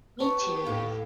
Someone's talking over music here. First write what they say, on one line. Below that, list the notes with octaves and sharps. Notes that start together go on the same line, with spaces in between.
Me too.
B3 G4 B4 C#5 A5 C#6
D#2 A2 F5